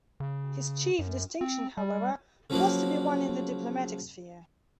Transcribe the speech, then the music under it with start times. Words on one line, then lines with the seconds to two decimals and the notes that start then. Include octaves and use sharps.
His chief distinction, however, was to be won in the diplomatic sphere.
0.20 C#3
0.99 F#2
1.41 C4
1.77 G3
2.50 C#3 F3 F#3 A#3